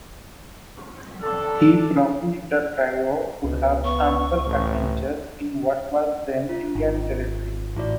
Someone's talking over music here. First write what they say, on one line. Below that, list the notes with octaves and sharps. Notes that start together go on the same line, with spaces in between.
He promised the trio would have ample adventures in what was then Indian Territory.
D4 A4
C#2 B2
B3 C#6
A1
F4
G#1
A1 E4 F#4 D5